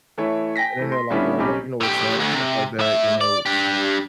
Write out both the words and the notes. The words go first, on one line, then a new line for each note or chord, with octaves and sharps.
and it had, like, a, you know, a track, stuff like that, you know,
E3 A3 E4 C#5
G5 G#5 A#6 B6
E3 A3
C6
D3 G3 B3 C#4 E4 F4
B1 C4 C#4 G4 B5
A2 G4
D2 D3
C3
A2 E5
D5
D4 G4